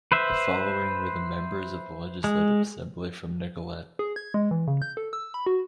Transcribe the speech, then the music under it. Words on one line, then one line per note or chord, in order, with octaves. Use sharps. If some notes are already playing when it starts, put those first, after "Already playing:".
The following were the members of the Legislative Assembly from Nicolet.
B4 C5 E5
G#3
G#4
G#6
G#3
E3
C#3
G6
A4
E6
B5
F#4